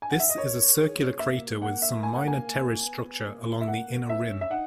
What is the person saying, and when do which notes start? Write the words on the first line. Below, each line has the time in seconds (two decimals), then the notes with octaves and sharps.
This is a circular crater with some minor terrace structure along the inner rim.
0.02 G#5
0.11 F#5
0.20 E5
0.29 D#5
0.38 A#4 C#5
0.79 G#4
1.20 A#3 E5
1.61 A#3 F#5
1.82 E5
2.03 G#5
2.16 F#5
2.28 G#5
2.85 B3
3.27 A#3
3.61 E5
3.67 A#3 F#5
3.88 A#3
4.09 B3 E5
4.30 C#4
4.41 E5
4.50 D#4 F#5